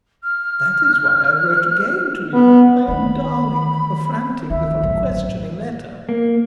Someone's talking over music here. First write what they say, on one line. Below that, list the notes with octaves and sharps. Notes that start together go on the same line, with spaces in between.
That is why I wrote again to you, my own darling--a frantic little questioning letter.
F6
B3
D#3 A3 B5
D2 D#3 E5
A1 F#2
A#3